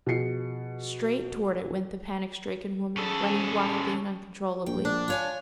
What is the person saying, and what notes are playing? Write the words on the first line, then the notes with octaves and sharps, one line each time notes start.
Straight toward it went the panic-stricken woman, running wildly and uncontrollably.
B2 F3 G#4 C7 C#7
C#3 A4
A#1 G5
D4
F4 C#5 G#5